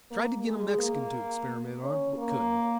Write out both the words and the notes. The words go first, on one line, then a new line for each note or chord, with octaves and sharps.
I tried to get a Mexican to experiment on, but couldn't.
A#3
G#3
A#3
C#4
A#3